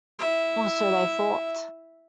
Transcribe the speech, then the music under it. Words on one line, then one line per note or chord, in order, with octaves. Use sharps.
Or so they thought.
E4 E5